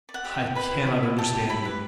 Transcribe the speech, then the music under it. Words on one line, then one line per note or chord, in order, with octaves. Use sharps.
"I cannot understand you!"
D5
F#5
G4
G5
G4
B4 B5
E4
E4
E4
G4 A5
G4
E4 B5
B4